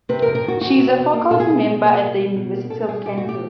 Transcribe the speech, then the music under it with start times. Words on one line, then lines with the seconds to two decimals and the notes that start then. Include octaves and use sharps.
She is a faculty member at the University of Kansas.
0.09 C3 B4
0.22 F2 A#4
0.35 A#4
0.44 D#3 F#4
0.61 F2 F#4
0.78 C3
0.97 F2
1.13 A#3
1.31 B2 A4
1.40 G#4
1.48 G3
1.66 B2
1.83 A#3
2.01 B2
2.18 G3
2.36 B2
2.53 A#3
2.70 B2 A4
2.83 A4
2.87 G3 G#4
3.05 B2 G4
3.18 F#4
3.23 A3
3.29 G4